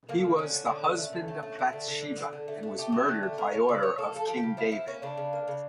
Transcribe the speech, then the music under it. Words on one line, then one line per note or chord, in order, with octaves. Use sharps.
He was the husband of Bathsheba and was murdered by order of King David.
D3 A#3
D3
D3 C#4
D3
D3
D3
A3
D3
A3
A3
A3
D3
D3
D3
D3
D3
A3
A3
A3 G4
A3
D3
A3
A#3 A#4
A#3 C#5
C#3 D5
F3 C#5
A#3 A4
F3 A4
F3 G4
C#3
F3 E4
F3 E4
A#3 C#4
C#3 D4
C#3
A#3
C#3